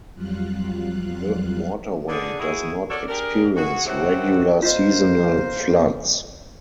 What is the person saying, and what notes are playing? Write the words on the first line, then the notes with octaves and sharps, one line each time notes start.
The waterway does not experience regular seasonal floods.
F2 F#3 G3 F4 F5 F#6
D3 D4 G#4
E4 F#4 G#4
F#4 A4 A#4 C#5 D5
D4 G4 G#4 A#4
F#4 G#4
F2 C3 C4 F#4 C#5 F#5
A#3 F4 C5 D#5